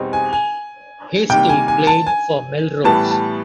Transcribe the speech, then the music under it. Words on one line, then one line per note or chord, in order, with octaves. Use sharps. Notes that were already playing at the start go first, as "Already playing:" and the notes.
Hastie played for Melrose.
Already playing: E2 B2 G3 C4 D#4
G#5
G#5
C3 D#3 G3 A#3 G5
G#5
G#5
A5
G#5
A2 E3 G3 B3 A5
A5